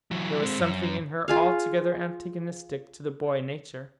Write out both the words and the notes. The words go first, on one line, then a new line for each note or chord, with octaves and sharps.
There was something in her altogether antagonistic to the boy-nature.
E3 F#3
G#3 C4
F#2
F4 G#4 F5